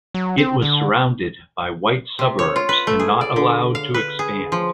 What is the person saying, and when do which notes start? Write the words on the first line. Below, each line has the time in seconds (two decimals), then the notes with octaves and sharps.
It was surrounded by white suburbs and not allowed to expand.
0.14 F#3
0.38 C4
0.62 D3
2.19 C3
2.39 C#5
2.56 F4
2.69 B4
2.87 A3
3.00 G#4
3.21 D5
3.36 D3
3.75 F5
3.94 B4
4.19 G#4
4.52 F3